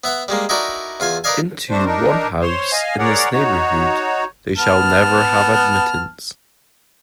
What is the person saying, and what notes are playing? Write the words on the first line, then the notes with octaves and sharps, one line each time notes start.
Into one house in this neighbourhood they shall never have admittance.
B3 E5 F#5
G3 G#3 A#3
D#4 E4 F#4 A4 A#4 D5
E2 F4 F5 G#5
A#4 B4 D5 D#5 F5 G#5
G3 A3 C4 D4 C5
D4 D#4 A#4
C5 C#5 C6
D#5 F5 G#5
G#4 A#4 C#5 D5 F#5
D#4 F#4 C#5
B3 A5 F6